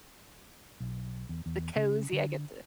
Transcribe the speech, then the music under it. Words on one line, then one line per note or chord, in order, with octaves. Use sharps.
The cozy. I get the
B1
E2
E2
C#3
D3